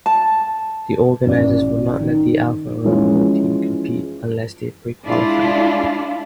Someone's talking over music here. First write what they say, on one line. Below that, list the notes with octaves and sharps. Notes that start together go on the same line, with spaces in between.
The organizers would not let the Alfa Romeo team compete unless they pre-qualified.
A5
A1 D5
D#3
E3 F3 G#3 C#4 F4
G#3 D4 E4 F4